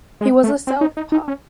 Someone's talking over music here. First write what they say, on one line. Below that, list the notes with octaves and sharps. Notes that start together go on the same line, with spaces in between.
He was a southpaw.
G#3
A3
C4
D#4
D#4
D#4
C#4